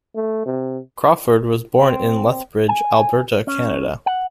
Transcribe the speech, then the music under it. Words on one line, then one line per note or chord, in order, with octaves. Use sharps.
Crawford was born in Lethbridge, Alberta, Canada.
A3
C3
C4
G#5
C#4
F#5